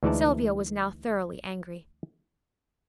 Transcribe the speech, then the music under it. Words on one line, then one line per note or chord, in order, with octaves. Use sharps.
Sylvia was now thoroughly angry.
D2 E3 G#3 D#4 D5 A5